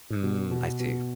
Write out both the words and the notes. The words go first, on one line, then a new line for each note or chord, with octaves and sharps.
Mm, I see.
B2
B2
B2